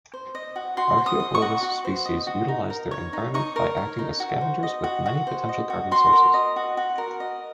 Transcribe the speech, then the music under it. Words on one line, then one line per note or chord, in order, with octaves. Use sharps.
"Archaeoglobus" species utilize their environment by acting as scavengers with many potential carbon sources.
C5
D#5
F#4
F#4 C6
C5
D#6
D#5
C#6
F#4
F#4
C5
D#5
F#4
D#4
A#4
C#5
D#4
D#4 C#6
A#4
C#5
D#4
F#4
C5
D#5
F#4
F#4
C5
D#5
F#4
F#4 C6
A#4
D#5
F#4
F#4
A#4
D#5